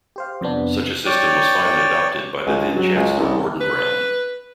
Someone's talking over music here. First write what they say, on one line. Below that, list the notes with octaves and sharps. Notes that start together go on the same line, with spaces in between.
Such a system was finally adopted by the then Chancellor Gordon Brown.
G4 C5 F5
F2 C3 B3 D4
C#5 D5 G5
C#2
F#3
C#2
C2
B4